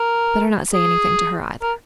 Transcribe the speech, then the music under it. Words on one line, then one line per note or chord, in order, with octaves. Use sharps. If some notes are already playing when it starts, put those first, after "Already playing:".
"Better not say anything to her either."
Already playing: A#4
G#4
A#4